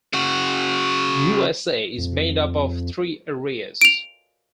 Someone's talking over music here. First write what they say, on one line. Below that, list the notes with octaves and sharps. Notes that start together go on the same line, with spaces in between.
Usa is made up of three areas.
C#3 F#4
F2
D7 F7